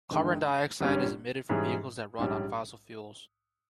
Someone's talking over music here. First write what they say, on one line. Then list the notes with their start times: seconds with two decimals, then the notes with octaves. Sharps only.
Carbon dioxide is emitted from vehicles that run on fossil fuels.
0.11 G1 G2 D#3 G#3
0.81 G#1 G2 G3 C#4
1.49 G#2 E3 G3 C#4 G#4
2.18 A#1 G#2 G3 C#4